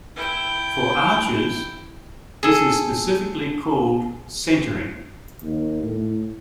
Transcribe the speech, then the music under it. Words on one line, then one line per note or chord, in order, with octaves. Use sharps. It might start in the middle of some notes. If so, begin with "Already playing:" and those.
For arches, this is specifically called centering.
E4 G5
G#4 A4
D#2
A2